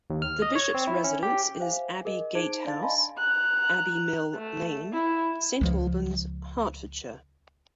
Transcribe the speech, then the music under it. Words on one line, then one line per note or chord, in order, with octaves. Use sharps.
The Bishop's residence is Abbey Gate House, Abbey Mill Lane, Saint Albans, Hertfordshire.
D#2
F6
D#5
C#5
C4
E4
C#4
G4
C5 E5 F5 G#5
G#4 A#4 D#5
D#4 G#4 C5 A5 G#6 D7
D4 D5 F5 A5 A6
D#5 F5 G#5 A5 B5 C6
A#5 F#6
A3
E4
C#2 F3